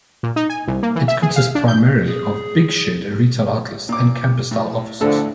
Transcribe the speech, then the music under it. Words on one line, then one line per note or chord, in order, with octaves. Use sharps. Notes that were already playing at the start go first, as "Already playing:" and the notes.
It consists primarily of 'big shed' retail outlets and campus style offices.
A#2
D#4
G#5
C2
A#3
E3
E5
G#4
F5
D4
G6
G#4
A#2 D6
A2
D2 A2 D3 F3 A4